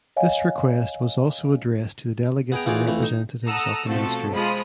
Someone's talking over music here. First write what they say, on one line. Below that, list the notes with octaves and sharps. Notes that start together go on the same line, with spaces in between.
This request was also addressed to the delegates and representatives of the ministry.
C#5 D#5 F5 G#5
B3 G#4 D#5 G5 A#5
E3 D#4 F4 F#4 G#4 D5
F2 E3 A3
D#4
A4 F#5 A#5 D#6 E6
B2 F3 A3 C4 F#4 A4
F3 G#3 F4 B5 D#6